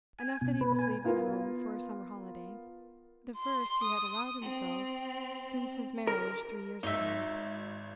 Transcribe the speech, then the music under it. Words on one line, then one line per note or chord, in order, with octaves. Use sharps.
Enough that he was leaving home for a summer holiday--the first he had allowed himself since his marriage three years ago.
G#5
B2
B4
G#5
B3 F4 A#4
C6
D#6
C4
A#4
G#1 D#4 E5